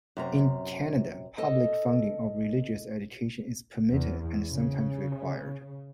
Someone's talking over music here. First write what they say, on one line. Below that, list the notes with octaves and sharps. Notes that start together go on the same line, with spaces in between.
In Canada public funding of religious education is permitted, and sometimes required.
F#2 C3 A#5
A4 D#5
E2
C#3